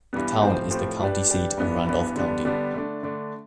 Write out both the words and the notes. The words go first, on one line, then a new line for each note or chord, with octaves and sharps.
The town is the county seat of Randolph County.
G2 E3 G3 B3
A2 F3 C4 G4 C5
A2 F3 C4 G4 C5
G3 D4 G4 B4
G3 D4 G4 B4
G2 E3 B3 D4
G2 E3 B3 D4
D3 G3 B3 D4
D3 G3 B3 D4
D3 A3 D4
D3 A3 D4